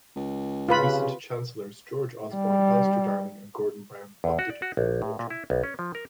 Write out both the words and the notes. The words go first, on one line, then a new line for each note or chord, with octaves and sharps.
The recent Chancellors, George Osborne, Alistair Darling and Gordon Brown, opted for water.
C#2
C#3 F4 B4 B5
C3
G3
E2
F#4
D5
F#4
A#1
A2
A#2
E4
B1
C#4
F3
A#4